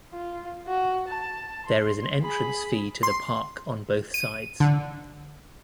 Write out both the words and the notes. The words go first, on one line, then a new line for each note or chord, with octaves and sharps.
There is an entrance fee to the park on both sides.
F4
F#4
A5
C6
G#4 B5
C6
D#7
D3